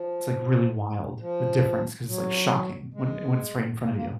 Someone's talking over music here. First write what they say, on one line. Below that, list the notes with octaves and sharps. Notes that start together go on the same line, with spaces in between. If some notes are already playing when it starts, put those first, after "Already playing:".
it's, like, really wild, the difference, 'cause it's, like, shocking when when it's right in front of you.
Already playing: F3
F3
F#3
G#3
A#3
G#3
A#3